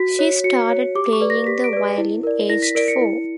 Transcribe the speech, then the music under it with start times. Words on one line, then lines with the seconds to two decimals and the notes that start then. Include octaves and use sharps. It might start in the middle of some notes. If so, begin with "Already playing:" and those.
She started playing the violin aged four.
Already playing: F#4 B6
0.19 C#5
0.44 F#4 C#7
0.70 C#5
0.95 G4 D6
1.13 C#6
1.21 B4 D5
1.30 A#6
1.47 G4 B6
1.64 D7
1.73 B4 D5
1.98 E4
2.23 A#4 D5
2.50 E4 A#6
2.62 B6
2.75 A#4 D5 D7
2.88 C#7
3.01 E4